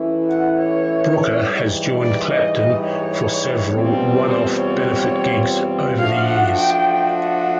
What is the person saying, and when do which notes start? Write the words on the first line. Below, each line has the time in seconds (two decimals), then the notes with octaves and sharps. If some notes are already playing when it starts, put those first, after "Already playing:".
Brooker has joined Clapton for several one-off benefit gigs over the years.
Already playing: E3 A3 C#4 E4
0.29 F#5
0.58 C#5
1.44 G#2 E3 G3
2.00 D5
2.29 D#5
2.57 D#5
2.85 C#5
3.70 E2 B2 G3 C4 F4
4.28 C5
4.56 C#5
5.98 F3 A3 D4 F#4 F5
6.26 F#5
6.56 G5
7.13 F#5